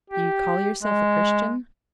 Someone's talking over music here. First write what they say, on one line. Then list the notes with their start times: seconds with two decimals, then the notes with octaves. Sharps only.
"Do you call yourself a Christian?"
0.10 G4
0.83 G#3